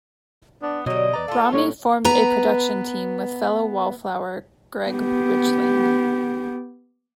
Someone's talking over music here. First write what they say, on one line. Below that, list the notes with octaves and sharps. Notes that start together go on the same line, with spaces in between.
Rami formed a production team with fellow Wallflower Greg Richling.
B3 D4
B2 D3 F#3 G3 D#5
E2 B4 D5 A#5
A3 F4 A4 F5
A2 G3 A#3 D4 C#5
B3 B4 A#5
B3 G4